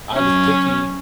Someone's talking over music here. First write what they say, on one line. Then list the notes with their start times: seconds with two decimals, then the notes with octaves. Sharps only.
I was picky,
0.13 F#3 C#4